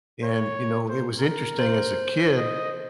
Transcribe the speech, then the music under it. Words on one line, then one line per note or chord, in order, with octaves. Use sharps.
and, you know, it was interesting as a kid,
C#5
C5
A#4
C5
D#5